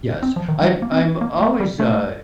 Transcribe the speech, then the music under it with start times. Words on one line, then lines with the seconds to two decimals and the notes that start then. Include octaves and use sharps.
Yes. I'm I'm always, uh,
0.23 C4
0.36 F3
0.49 D#3
0.61 G3
0.82 A#3
0.92 C4
1.01 A#3
1.21 A#3
1.40 A3
1.60 G3
1.80 A3